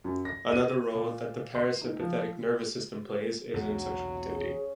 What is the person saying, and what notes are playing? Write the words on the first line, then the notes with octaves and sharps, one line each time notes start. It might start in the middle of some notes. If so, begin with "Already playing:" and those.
Another role that the parasympathetic nervous system plays is in sexual activity.
F#2
A#6
D#7
A#2
C6
D#4
F3
B1 E2 F#3 A#3 F#5
C#4 G#4